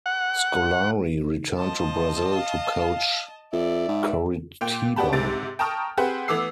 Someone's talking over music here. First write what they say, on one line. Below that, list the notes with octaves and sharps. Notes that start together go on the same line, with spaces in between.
Scolari returned to Brazil to coach Coritiba.
F#5
F3 D#5 A5
F5
F2 D5 E5
G#2
A#2 G5
B3 D4 F#4 G4 A5 B5
G#2 C3 A6 D7
G5 A5 A#5 C#6 D#6 F6
C4 G4 G#4 B4 F#5
E3 A3 B3 D6 E6 C7